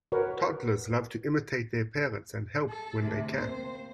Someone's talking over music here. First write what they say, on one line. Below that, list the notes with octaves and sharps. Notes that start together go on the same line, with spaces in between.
Toddlers love to imitate their parents and help when they can.
F#4 A#4 B4 C#5
A4
D2 C3
A#3 C4 C5